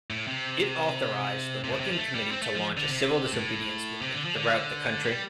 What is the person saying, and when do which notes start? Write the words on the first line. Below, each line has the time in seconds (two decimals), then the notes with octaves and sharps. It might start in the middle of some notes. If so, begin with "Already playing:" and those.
It authorised the Working Committee to launch a civil disobedience movement throughout the country.
0.10 A2
0.27 C3
1.64 C3
1.72 A2
1.80 C3
1.89 F3
1.98 A3
2.15 G3
2.31 C4
2.42 A3
2.55 F3
2.77 D3
2.88 C3
3.33 A2
4.02 C3
4.14 D3
4.25 F3
4.36 D3
5.04 G3